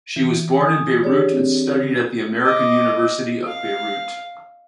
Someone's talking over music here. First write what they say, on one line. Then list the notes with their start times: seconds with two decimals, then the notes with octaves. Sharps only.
She was born in Beirut and studied at the American University of Beirut.
0.16 E3
0.58 G#5 D#6
1.03 D4 G4 G#4 C#5 D5
1.32 C4
2.41 D#5 D6
3.47 F5